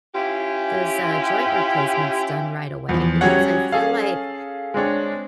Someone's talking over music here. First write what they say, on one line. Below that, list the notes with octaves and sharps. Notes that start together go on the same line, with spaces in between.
those, uh, joint replacements done right away, because I feel like,
C#4 E4 F4 G4
E2 F3
F#3 G3 C#4 G#4 C#5 F#5
C#4 G#4 A4 F5
G#3 C4 D4 C#5